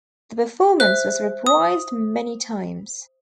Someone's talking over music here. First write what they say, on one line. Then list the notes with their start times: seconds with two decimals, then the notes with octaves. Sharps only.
The performance was reprised many times.
0.80 C5 E5 F#6
1.47 D#6